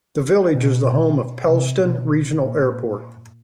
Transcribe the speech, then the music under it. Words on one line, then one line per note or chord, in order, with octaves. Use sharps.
The village is the home of Pellston Regional Airport.
B2
C3
B2
A#2